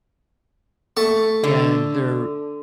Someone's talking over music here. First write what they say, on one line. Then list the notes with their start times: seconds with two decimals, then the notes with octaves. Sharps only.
and they're
0.97 A3 A5 C#6
1.44 D3